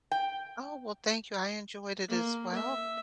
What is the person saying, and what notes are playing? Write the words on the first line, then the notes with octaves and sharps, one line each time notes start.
Oh, well, thank you. I enjoyed it as well,
G5
A#3
E5